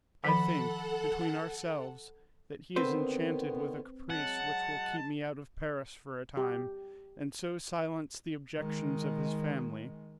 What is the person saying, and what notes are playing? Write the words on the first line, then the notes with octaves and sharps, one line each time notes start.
I think, between ourselves, that he is enchanted with a caprice which will keep me out of Paris for a time, and so silence the objections of his family.
D#3 F3 A4 F#5 B5 B6
D3 D#3 B3 C4 B4 C5
F#3 G#3 F#5 A5
G4
D#3 G#3